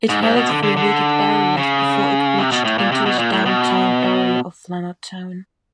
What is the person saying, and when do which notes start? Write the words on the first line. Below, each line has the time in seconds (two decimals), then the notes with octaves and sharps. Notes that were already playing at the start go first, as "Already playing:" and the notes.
It headed through wooded areas before it reached into the downtown area of Leonardtown.
0.09 G#2
0.22 G#2
0.36 B2
0.50 D3
0.63 D3
0.77 D3
1.57 C#3
2.38 C3
2.52 B2
2.64 A2
2.78 A#2
2.92 C3
3.06 B2
3.19 A#2
3.32 A2
3.46 B2